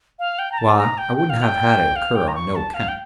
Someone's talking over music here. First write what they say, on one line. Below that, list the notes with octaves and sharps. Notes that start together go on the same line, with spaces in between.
Why, I wouldn't have had it occur on no account.'
F5
G5
A#5
A5
A#5
G5
G5
F5
G5
F5
G5
A#5
C#6
A5
F5
G5